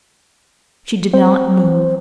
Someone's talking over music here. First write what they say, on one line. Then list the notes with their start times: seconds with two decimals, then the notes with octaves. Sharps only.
She did not move.
1.13 C4